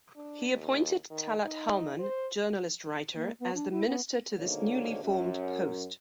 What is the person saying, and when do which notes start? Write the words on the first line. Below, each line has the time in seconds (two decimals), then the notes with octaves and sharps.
He appointed Talat Halman, journalist-writer, as the minister to this newly formed post.
0.16 D4
0.51 D#2
1.10 D#3
1.45 D#4
1.99 C5
3.15 A#3
3.40 B3
3.54 D4
3.71 E4
3.88 B3
4.38 G#2 B2 D3 D#3 A#3 C#5
5.03 F#2